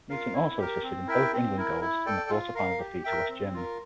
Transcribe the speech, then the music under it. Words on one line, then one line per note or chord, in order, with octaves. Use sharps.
Newton also assisted in both England goals in the Quarter-Final defeat to West Germany.
F4 A#4 F5
E4
G4 A#4
C4
E4 A#4 E5 G5
C4
E4 A#4
E4
A4 D5 G5
F4
A#4 F5
G4
A#4 E5 G5
C4
F4 A#4